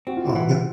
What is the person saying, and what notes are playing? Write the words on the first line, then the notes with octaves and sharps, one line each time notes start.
Oh, th
C4 F#4
F4
E4 F#4
E3